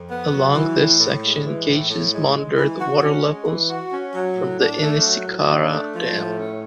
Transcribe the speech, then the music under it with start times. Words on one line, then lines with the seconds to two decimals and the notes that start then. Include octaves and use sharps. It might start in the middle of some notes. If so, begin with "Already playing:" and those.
Along this section gauges monitor the water levels from the Inniscarra Dam.
Already playing: F2
0.10 B3
0.32 F#3
0.55 E3
0.77 A2
1.00 A2
1.22 G#3
1.45 E3
1.68 A2
1.89 A2
2.12 G#3
2.35 G#3
2.57 E3
2.80 F#4
3.02 C#4
3.24 G#3
3.47 E3
3.69 F#4
3.92 C#4
4.14 F#3
4.37 A2
4.59 D4
4.82 A3
5.04 F#3
5.26 A2
5.49 D4
5.71 A3
5.94 F3
6.16 A2
6.38 C#4